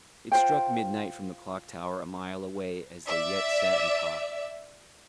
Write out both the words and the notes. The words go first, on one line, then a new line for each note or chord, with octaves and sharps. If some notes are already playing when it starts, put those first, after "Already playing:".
It struck midnight from the clock-tower a mile away as they yet sat and talked.
F4 C5 G5
D5 E5